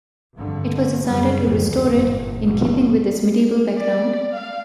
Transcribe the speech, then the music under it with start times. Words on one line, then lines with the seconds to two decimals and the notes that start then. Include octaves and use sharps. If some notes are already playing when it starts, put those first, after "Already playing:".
It was decided to restore it in keeping with its medieval background.
0.35 G#1 G2 D3
1.04 F#2 C#3 G3
1.42 F1 D2 G#2
1.92 G1 E2 A#2
2.41 G2 B2 F#3
3.75 D5
4.33 F5